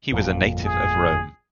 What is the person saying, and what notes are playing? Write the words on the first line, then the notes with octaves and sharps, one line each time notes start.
He was a native of Rome.
G1 F2 A#2
G#4